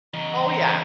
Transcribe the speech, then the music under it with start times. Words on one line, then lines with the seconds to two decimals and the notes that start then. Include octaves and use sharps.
Oh, yeah.
0.14 E2 C#3 E3 D#5 A#5